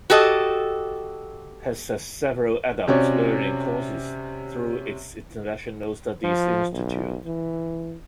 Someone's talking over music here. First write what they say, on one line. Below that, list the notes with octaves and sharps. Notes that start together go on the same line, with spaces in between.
Hess has several adult learning courses through its International Studies Institute.
F#4 G4 A4 D#5
C3 C4 C#4 F#4 C#5 D5
F3
B1
E3